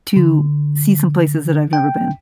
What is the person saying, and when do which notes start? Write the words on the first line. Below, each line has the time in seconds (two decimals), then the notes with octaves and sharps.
to see some places that I've never been.
0.17 D3
1.73 G5